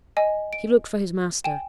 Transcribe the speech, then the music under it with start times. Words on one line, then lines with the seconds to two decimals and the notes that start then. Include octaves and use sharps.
He looked for his master.
0.17 D#5 G#5
0.53 D7
1.44 G5 G#5 E7